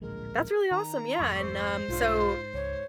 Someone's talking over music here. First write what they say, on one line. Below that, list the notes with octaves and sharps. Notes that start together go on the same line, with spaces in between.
that's really awesome. Yeah, and, um, so,
D1 A#1 G#3 A#4
D#3 A#5
G#1 F2 A3 C#6 D6 E6
C5
B1 G#2 D4 F4
C#2 C#5